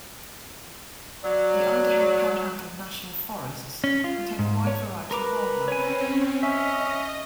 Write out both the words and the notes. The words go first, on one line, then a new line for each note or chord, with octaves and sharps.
The Idaho Panhandle National Forests contain a wide variety of wildlife.
F#3 D5
C#4
F4
G#2
C#5
A#4 B4 A#5 D6
C4 C#4 C#5 G#5
C#4 D#5 E5